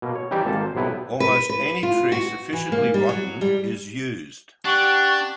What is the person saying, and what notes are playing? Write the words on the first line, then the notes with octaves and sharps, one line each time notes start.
Almost any tree sufficiently rotten is used.
B2 A#3
C#5
E3 G3 D#4 G4 D5 E5
G#1 G#2 A#3 A4 G#5 A5
C5
B1 C3 B3 E4 B4
B4
B4
F4
F#4
E3
A#3
G3
F#3
G3
D4 G4 F#5 C#6